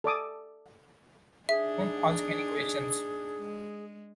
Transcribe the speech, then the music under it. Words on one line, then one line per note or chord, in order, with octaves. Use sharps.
Don’t ask any questions.
A4 D5 D6 D#6
D4 D#4 G#4 E5
G#3